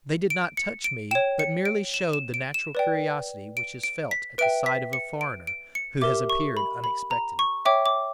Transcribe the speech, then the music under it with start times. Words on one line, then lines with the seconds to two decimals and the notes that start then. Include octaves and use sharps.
They did not touch me, but merely showed the natural curiosity which is felt at the sight of a foreigner who has appeared unexpectedly.
0.30 D7
0.57 C#7
0.84 D7
1.11 C#5 G5 E7
1.39 C#7
1.65 D7
1.94 E7
2.13 E7
2.34 D7
2.54 E7
2.75 B4 D5 G5
3.57 D7
3.83 D7
4.11 B6
4.38 B4 E5 G5 D7
4.66 B6
4.93 C#7
5.21 D7
5.47 D7
5.75 C#7
6.02 G4 A#4 E5 D6
6.30 C#6
6.57 B5
6.84 B5
7.11 A#5
7.39 C#6
7.65 C#5 E5 G5 D6
7.86 D6